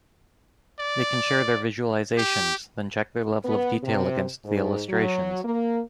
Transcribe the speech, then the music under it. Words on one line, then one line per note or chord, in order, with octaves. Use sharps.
They can share their visualizations, then check their level of detail against the illustrations.
D5
G4
B3
C3
G#2
F#3
A#3